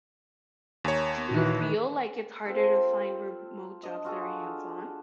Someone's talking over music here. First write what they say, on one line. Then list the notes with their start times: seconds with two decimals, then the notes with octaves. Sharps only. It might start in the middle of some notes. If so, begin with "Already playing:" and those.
Do you feel like it's harder to find remote jobs that are hands on?
0.84 D#2 C#5 G#5 A#5
1.29 A#2 D#3 E3 F#4
2.45 C4 F4 A4
3.83 D4 D#5
4.05 F4 F#4 G#4 A4